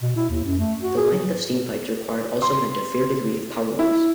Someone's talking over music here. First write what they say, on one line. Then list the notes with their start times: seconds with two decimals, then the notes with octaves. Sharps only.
The length of steam pipes required also meant a fair degree of power loss.
0.02 B2
0.16 E4
0.29 D#2
0.44 F#2
0.59 A3
0.81 F#4
0.97 G#4
1.12 F#3
2.42 C6
3.79 E4